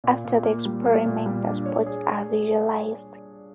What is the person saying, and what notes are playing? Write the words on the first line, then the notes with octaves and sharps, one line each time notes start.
After the experiment, the spots are visualized.
A#2
A#2
A#3
G3
A#3
A#2
G3
D4
C#5
G#4